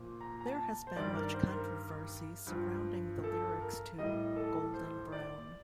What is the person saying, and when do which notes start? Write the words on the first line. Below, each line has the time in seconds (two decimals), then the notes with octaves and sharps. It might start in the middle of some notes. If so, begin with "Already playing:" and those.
There has been much controversy surrounding the lyrics to "Golden Brown".
Already playing: A#2 F3
0.21 A#5
0.41 A#5
0.46 A5
0.87 C5
0.96 G2 D#3 G3 D5
1.15 A#4
1.34 C5
1.52 A#4
2.47 G2 F3
3.24 A4
3.61 A#4
3.98 A2 G3 D#5
4.36 A4
4.74 C5
5.12 D5